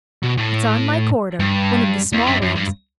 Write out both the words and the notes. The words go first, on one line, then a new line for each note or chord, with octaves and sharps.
It's on my corridor--one of the small rooms.
B2
A2
G2
E2
F#2
F#2
G2